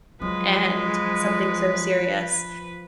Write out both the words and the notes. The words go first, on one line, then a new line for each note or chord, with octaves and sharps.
and something so serious
F3 F#3 G#3 B4